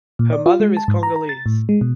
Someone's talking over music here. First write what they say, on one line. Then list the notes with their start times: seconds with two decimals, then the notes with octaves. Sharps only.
Her mother is Congolese.
0.19 A#2
0.33 D5
0.46 F4
0.60 G#3
0.77 A5
0.88 G#2
1.03 A#5
1.16 A#5
1.29 A6
1.46 A2
1.69 G#3
1.81 B2